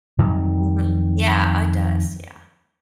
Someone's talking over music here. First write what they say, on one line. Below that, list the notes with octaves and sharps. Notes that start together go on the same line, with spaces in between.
Mhm yeah, it does, yeah.
F2 D#3 F#3 G3